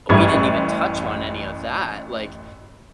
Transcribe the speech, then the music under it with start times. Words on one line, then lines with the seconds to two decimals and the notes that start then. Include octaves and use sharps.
We didn't even touch on any of that. Like,
0.09 A1 F#2 G3 E4 C#6 G#6